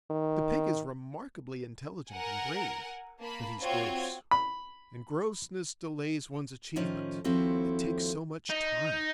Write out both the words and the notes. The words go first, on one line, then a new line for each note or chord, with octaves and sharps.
The pig is remarkably intelligent and brave,--but he's gross; and grossness delays one's achievement, it takes so much time.
D#3
A#4 F#5 G#5
A#3 A5 B5
C4 F4 F#4 C#5 G5 G#6
B5
A2 D#3 F3 C#4
D#2 F3 C4 E4 F#4 A4
D#4